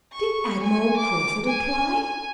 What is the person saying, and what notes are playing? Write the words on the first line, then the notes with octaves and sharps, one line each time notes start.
Did Admiral Crawford apply?
C#6
G#5
D6
G#5